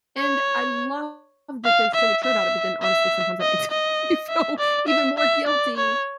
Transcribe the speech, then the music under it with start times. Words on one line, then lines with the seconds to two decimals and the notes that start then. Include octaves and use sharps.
And I love that they're so mature about it, but then, honestly, sometimes that makes me feel even more guilty,
0.18 C#5
1.65 F5
1.95 E5
2.24 E5
2.82 E5
3.41 D#5
3.71 D#5
4.29 E5
4.59 D5
4.88 E5
5.18 E5
5.47 D5
5.77 C#5